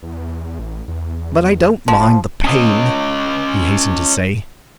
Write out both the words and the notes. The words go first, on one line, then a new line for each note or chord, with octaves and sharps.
"But I don't mind the pain," he hastened to say.
E2
A1
E2
F1 F3
C#4 D#5